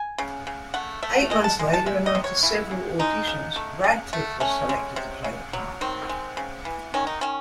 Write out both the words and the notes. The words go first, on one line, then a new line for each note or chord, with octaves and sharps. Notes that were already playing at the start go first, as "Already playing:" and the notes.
Eight months later, and after several auditions, Radcliffe was selected to play the part.
Already playing: G#5
C#3
C#3
A3 F#5
A3 E5
G#3 D#5
A5
G#3
A5
G#3 E5
D#5
C3
C#5
C#3 E4
C#3
G#3 D#4
C#3
A3
C#3
A3
A3 C#4
G#3
C3
C#3
F#3
D#3 C4
G#3
C#3
E3
D#3 C#4
D#4
D#3 C#4